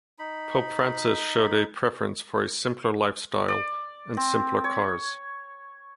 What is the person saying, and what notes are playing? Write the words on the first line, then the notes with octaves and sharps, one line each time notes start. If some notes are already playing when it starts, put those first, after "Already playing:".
Pope Francis showed a preference for a simpler lifestyle and simpler cars.
D#4 B5
D5
C4
C#5